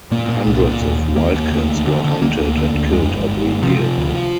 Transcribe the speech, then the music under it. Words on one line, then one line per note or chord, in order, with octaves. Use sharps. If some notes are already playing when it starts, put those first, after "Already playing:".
Hundreds of wildcats were hunted and killed every year.
A#2 A#3
A#2
C2
A#2
D#2
D#2
D#2 A#3
D#2
D2
D2
D3
D3
D2 A#3
D2
D3
D2
F2 G#3
G1
G1
G1
C3 F3
C3
D2